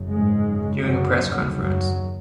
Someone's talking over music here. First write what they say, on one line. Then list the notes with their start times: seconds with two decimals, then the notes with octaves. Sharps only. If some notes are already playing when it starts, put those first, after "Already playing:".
During a press conference.
Already playing: F#1 F#2 C#3
0.11 G#2 G#3
0.48 G#1 F#2 C#3
0.84 F#2 F#3
1.21 D#2 C#3
1.58 F#2 F#3